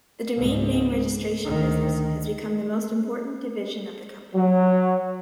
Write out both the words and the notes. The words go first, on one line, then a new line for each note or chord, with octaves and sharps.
The domain name registration business has become the most important division of the company.
C#2 G#2
D2 D#3
F#3